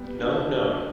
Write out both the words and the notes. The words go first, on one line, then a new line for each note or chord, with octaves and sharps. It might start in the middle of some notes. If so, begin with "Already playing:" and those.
None known.
Already playing: G3 B3
D4
F3